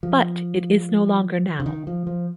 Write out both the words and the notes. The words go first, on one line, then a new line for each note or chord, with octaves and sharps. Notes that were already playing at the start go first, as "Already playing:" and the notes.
But it is no longer now.
F3
C#3
D#3
F3
F3